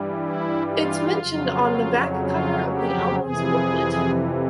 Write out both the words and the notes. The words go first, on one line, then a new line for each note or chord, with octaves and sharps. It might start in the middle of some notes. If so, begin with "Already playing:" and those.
It's mentioned on the back cover of the album's booklet.
Already playing: G2 E3 G3
E4
F4
F2 C#3 F#3
F4
G4
F2 C3 E3 G#4